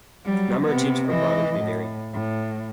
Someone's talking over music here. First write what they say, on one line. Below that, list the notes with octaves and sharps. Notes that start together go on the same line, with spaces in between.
Number of teams per province may vary.
F#3 G3
C3 B3
E3 D#5
A2
A2